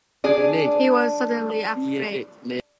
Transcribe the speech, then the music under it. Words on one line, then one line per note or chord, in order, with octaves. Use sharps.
He was suddenly afraid.
D4 G#4 D5